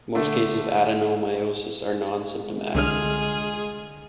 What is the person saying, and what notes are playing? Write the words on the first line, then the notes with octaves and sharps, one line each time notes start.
Most cases of adenomyosis are non-symptomatic.
D3 A3
G#3
C2 D3 F4 G#4 F6